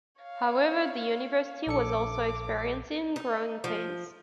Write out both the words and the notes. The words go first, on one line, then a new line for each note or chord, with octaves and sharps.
However, the university was also experiencing growing pains.
C#5 F5
A#1 A4 D6 C#7
D#4
F3